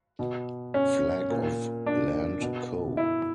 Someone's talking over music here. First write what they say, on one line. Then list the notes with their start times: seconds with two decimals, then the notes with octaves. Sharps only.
Flag of Land Co.
0.19 B2
0.74 C#4
1.30 A#2
1.86 D4
2.41 B2
2.97 E4